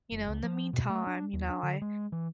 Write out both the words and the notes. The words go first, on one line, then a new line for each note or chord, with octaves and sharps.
you know, in the meantime, you know, I
F#1
C#2
F3
B2
A3
D4
D#2
D4
D3
G#3
E3